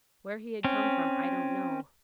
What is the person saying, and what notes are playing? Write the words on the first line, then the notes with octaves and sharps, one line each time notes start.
Where he had come from, I don't know.
C4 C#4